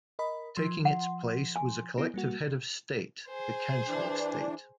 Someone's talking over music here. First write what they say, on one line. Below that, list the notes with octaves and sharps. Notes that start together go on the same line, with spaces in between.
Taking its place was a collective head of state, the Council of State.
A#4 D#5 B5
F3 C6
F#5
G#5
B3 E4
G3 A#3 F#4
G#4 C5
E3 D4